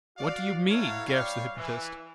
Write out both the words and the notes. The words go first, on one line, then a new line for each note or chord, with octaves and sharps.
"What do you mean?" gasped the hypnotist.
F#4 D5 F5
E4 F#4 A4 A#4 C#5 F5
G3 C#5 F5
E3